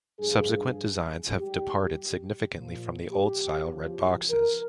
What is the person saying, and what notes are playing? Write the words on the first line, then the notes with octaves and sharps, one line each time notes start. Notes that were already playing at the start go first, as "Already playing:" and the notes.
Subsequent designs have departed significantly from the old style red boxes.
G2 F3 G#4
G#2 G3 G4
A#2 F3
G4
E2 C#3 F3
A#4